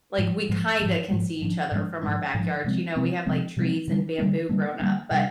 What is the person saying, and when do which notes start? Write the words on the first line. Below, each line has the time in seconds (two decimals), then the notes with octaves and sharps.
like, we kinda can see each other from our backyards, you know, we have, like, trees and bamboo growing up, but,
0.18 G#2 F3 G#3
0.49 G#2 F3 G#3
0.79 G#2 F3 G#3
1.10 G#2 F3 G#3
1.41 G#2 F3 G#3 D4
1.71 G#2 F3 G#3 D4
2.03 G#2 F3 G#3 D4
2.34 G#2 F3 G#3 D4
2.64 C3 F3 G#3 C4
2.96 C3 F3 G#3 C4
3.26 C3 F3 G#3 C4
3.57 C3 F3 G#3 C4
3.88 D3 G3 A#3 D4
4.18 D3 G3 A#3 D4
4.49 D3 G3 A#3 D4
4.80 D3 G3 A#3 D4
5.11 C3 G3 D4